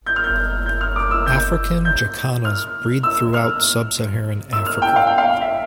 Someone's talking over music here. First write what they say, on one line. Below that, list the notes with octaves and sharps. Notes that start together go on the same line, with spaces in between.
African jacanas breed throughout sub-Saharan Africa.
G6
F6
G6
G6
F6
D6
E6
G6
G6
F6
E6
F6
E6
F6
G5
F5
G5
F5
E5